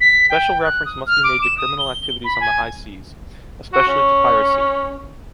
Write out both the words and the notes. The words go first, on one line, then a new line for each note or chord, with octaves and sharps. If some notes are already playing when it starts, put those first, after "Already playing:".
Special reference must be made to criminal activities on the high seas, especially to piracy.
B6
G5
F#6
D#6
F6
D6
E7
D#6
G7
B5
G#5
F#4
C#4